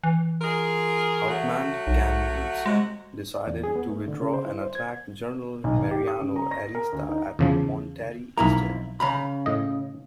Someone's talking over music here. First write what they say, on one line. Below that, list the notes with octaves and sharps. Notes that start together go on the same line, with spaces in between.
Outmanned, Canales decided to withdraw and attack General Mariano Arista at Monterrey instead.
E3
F4 G#4 A#4
F#3 A3 F#4
B1
C3 G#3 F#4
D5
E2
G#4
B3
A3
D3
C#3
C5
E4
C5
G#6
B1
G#1
G4
D#6
C#3
A#5
A#6
A#4
D2
D#4
E2 C#3 F3
B1 F2 A#3 E4 A#5
C#3 A#5 B5
A2 D#5